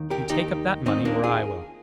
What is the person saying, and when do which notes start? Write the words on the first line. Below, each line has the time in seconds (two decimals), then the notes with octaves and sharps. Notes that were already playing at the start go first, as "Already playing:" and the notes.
You take up that money, or I will.
Already playing: D#2 D#3
0.10 G4 A#4
0.30 D#2 D#3 D#4 G4
0.86 D#2 D#3 C4 D#4
1.05 A#3 D4
1.24 F4 G#4